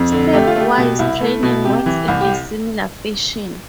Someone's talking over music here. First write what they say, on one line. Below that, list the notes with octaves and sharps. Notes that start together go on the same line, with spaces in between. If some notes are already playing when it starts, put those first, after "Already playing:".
Step-wise training works in a similar fashion.
Already playing: F2
D3
A3 G4
F4
A3 G4
B2
C2 E4
A3
B2
C3 G4
E3
C2
G4